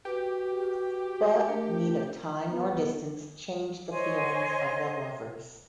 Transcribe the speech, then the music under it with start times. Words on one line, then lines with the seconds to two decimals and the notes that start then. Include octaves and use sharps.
But neither time nor distance changed the feelings of the lovers.
0.05 F#4 G4 B4
1.48 A3 D4 A#4
2.50 B3
3.90 C5 C#5 D#5 G#5